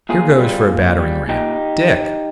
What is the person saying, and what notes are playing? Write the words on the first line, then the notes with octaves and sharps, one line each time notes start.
Here goes for a battering-ram, Dick!'
A#2 F4 G#4
G3
A#2
G3
A#2 D#4 G4